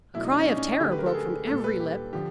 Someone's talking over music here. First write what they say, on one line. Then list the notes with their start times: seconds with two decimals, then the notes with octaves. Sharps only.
A cry of terror broke from every lip.
0.15 B2 F#3 A3 E4
0.23 D#4
0.31 D4
0.39 C#4
0.48 D#4
0.56 C#4
0.64 D4
0.72 D#4
0.80 D3 F#3 A3 G4
0.92 B4
0.98 A#4
1.06 A4
1.14 G#4
1.47 A#2 G3 A#3 A4
1.64 B4
1.80 G4
2.13 D3 F3 G4